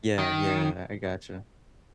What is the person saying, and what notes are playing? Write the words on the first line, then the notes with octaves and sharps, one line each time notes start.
Yeah, yeah, I I gotcha.
D#3